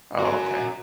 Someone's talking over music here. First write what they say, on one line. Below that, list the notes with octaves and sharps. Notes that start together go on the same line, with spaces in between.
Oh, okay.
F#4 A#4